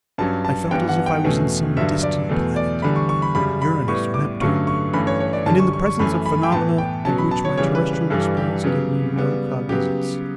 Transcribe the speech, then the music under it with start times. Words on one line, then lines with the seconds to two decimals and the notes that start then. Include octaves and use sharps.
I felt as if I was in some distant planet Uranus or Neptune--and in the presence of phenomena of which my terrestrial experience gave me no cognisance.
0.18 G2 F#3 C#4 A5
0.45 A5
0.71 G2 E3 B3 G5
0.89 F#5
1.06 G5
1.24 E2 B2 A3 C#4
1.77 G2 D3 F#3 E5
2.03 D5
2.29 E2 B2 A3
2.56 D5
2.82 E2 D3 G3 B5
2.96 C#6
3.09 C#6
3.22 B5
3.35 F#2 C#3 G3 B5
3.62 B5
3.88 A2 G3 B3 C#6
4.14 D6
4.41 G2 D3 F#3 A3 C#4 C#6
4.67 C#6
4.93 G2 E3 A3 C#4 B5
5.07 C#5
5.20 C#5
5.33 D5
5.46 F#2 D3 G3 C#4 A5
5.60 C#6
5.73 C#6
5.86 C#6
5.99 F#2 E3 A3 C#4 B5
6.26 B5
6.43 G5
6.52 A2 E3 B3 A5
6.78 G5
7.05 B2 F#3 C#4 A5
7.18 B5
7.31 A5
7.45 C#5
7.57 C#3 E3 G3 C#5
7.75 B4
7.93 B4
8.10 G2 E3 G3 A4
8.37 G4
8.64 C#3 F#3 B3
9.16 C#3 G3 B3
9.69 C#3 F#3 B3 G4